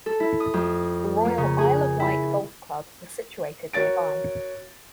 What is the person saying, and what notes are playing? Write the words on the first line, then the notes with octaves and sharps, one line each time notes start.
The Royal Isle of Wight Golf Club was situated nearby.
A4
E4
D#6
F2
A#3
C#3
G#4
E4
F#4 A#4 C#5 A6 D7